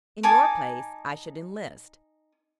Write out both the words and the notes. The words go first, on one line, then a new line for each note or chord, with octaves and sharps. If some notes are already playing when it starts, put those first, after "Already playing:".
In your place, I should enlist.
D#4 G#5 A5 D6